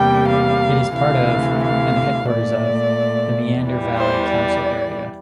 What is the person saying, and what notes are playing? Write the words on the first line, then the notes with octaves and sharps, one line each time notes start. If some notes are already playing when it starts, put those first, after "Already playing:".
It is part of, and the headquarters of, the Meander Valley Council area.
Already playing: E2 C3 G3 A#3 G5
F5
D2 C3 E3 A3 F5
F5
A#2 A3 D5
E2 E3 G3
C5
D5